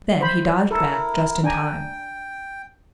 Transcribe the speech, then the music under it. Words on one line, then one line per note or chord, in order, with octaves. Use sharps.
Then he dodged back just in time.
C5 B5
E4 A4 A#4
D4 G5 G#5 A#5